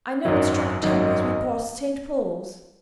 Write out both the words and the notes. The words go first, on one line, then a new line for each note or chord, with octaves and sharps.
"I know it struck ten as we passed St. Paul's."
G#1 F#2 D#3 F#3 D#5
G#1 F#2 D#3 F#3 D#5